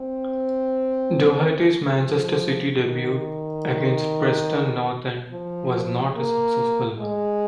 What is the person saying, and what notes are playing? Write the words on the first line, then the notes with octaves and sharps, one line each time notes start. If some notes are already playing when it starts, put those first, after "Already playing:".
Doherty's Manchester City debut, against Preston North End, was not a successful one.
Already playing: C4
F3
D#3
F3
A#3
G#3